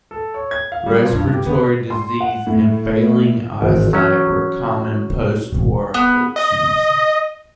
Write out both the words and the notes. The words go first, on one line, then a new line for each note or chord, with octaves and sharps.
Respiratory disease and failing eyesight were common post-war afflictions.
A4
C#5
G#6
F5
G3
F3
G2
G4
B3
C6
F#5
A2
G#1 E3
F#3 C#4
E1 A1
B3
D#5